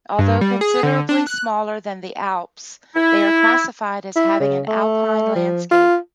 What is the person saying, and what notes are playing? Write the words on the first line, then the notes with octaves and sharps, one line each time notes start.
Although considerably smaller than the Alps, they are classified as having an alpine landscape.
G2
G3
G#4
D3
D4
F#6
E4
E4
C#3
A3
F3
F4